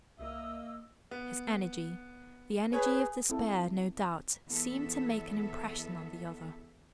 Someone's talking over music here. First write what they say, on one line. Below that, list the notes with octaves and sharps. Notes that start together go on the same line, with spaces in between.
His energy--the energy of despair, no doubt seemed to make an impression on the other.
C2 A#3 D#5 E5 E6
B3
G#4 B4 C#5
C4 E4 A4
E2 B3 A4 E5